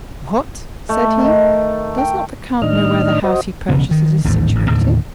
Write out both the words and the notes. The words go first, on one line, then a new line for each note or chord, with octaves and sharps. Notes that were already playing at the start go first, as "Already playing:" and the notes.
"What!" said he, "does not the count know where the house he purchases is situated?"
A3
D#3
G5
A2 D#3 D4 D#5 F6
F#4 C5 D#5
E1 C#3 B3
D#3
A1 D#2 G#2
A1 G#2
D#2 A2 D3 D#3